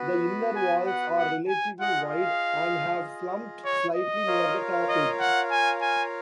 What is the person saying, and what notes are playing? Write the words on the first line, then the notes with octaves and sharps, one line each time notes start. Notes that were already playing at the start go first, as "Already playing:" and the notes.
The inner walls are relatively wide, and have slumped slightly near the top edge.
Already playing: B3 F#4 B4
G#5
F#5
F#5
G#5
F4 G#4 D#5 F#5
F5
C#5
D#5
F4 A#4 C#5 F5
D#5
F#5
G#5
G#5